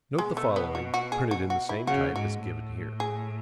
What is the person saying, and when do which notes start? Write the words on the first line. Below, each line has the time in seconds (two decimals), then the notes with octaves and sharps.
Note the following, printed in the same type as given here.
0.18 B2 G#3
0.37 A3
0.56 B3
0.75 F#4
0.94 F#4
1.12 G#4
1.31 F#4
1.50 F#4
1.69 E4
1.87 C#3 F#4
2.15 G#2 F#4
2.44 A2
3.00 G#4